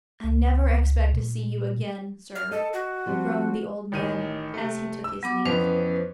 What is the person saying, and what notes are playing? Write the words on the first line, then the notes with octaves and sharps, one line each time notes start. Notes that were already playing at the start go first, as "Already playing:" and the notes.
"I never expect to see you again, sir!" groaned the old man, as he took his leave.
C#2
A#2
F6
A4 D#5
F#4
F3 G3 C4
A1 D#3 D#7
C3 A3
E6
F#3 B3 D6
F2 E3 B3 C#4 B4 C5